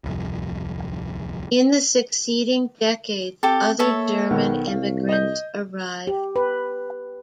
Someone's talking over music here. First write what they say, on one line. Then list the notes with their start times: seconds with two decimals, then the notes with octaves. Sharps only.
In the succeeding decades, other German immigrants arrived.
0.04 D1 C2 F2
3.43 C4 G4 A4
3.79 A#3 A4 C#5 E5
4.30 B1 D#3 B3
4.67 C2 F5
5.09 D#5 G6
6.07 G4
6.36 B4